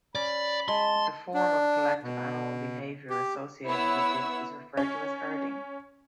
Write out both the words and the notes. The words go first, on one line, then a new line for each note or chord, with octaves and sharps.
The form of collective animal behavior associated with this is referred to as "herding".
C#4 D5 B5
G#3 A5 C6
D4
B2
G4
B3 E4 C#5 F#5 E6
C#4